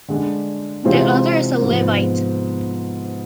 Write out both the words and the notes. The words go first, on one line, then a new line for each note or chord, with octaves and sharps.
The other is a Levite.
D3 G#3 D4
C3 E3 G#3 C4 F4
G#2 F3 B3